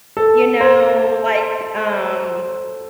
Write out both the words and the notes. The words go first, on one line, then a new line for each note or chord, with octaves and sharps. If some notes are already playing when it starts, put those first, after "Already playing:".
you know, like, um,
A4
C5